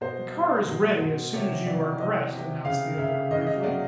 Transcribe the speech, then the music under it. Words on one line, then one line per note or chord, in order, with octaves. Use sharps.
"The car is ready as soon as you are dressed," announced the other briefly.
B2 C5
G3
B2
B2
C3 C#5
E3 D5
C3 D#5
C3
C#3 F5
C#3 E5
C#3 D#5
D#5
F#3 D5